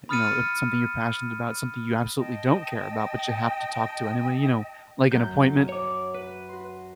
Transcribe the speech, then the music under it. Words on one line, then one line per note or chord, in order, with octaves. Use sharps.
uh, you know, something you're passionate about, something you absolutely don't care about, but you have to talk to anyway, you know? Like an appointment
B5 D#6 F6 A6 C#7 D#7
D#5 G5 A5
F#2 G6
C#5 D6
B4
F#4 C6